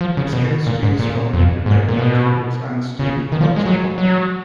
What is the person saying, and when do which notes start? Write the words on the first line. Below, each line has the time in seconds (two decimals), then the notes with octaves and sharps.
Its chemistry is dominated by the nature of its unstable peroxide bond.
0.01 F3
0.17 C#3
0.33 B2
0.67 A#2
0.83 G#2
0.99 A#2
1.33 F2
1.66 G#2
1.89 A#2
1.99 B2
2.99 C#3
3.32 D#3
3.41 F3
3.56 G#3
3.66 F#3
3.98 F#3